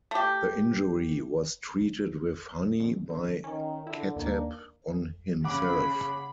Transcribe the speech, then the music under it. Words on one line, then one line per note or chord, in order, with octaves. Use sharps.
The injury was treated with honey by Khattab on himself.
A3 G4
F2
D3
D#3 C#4
D3 E4
D#2 D#3 A#3 D4
C#3 F#5 B5 D6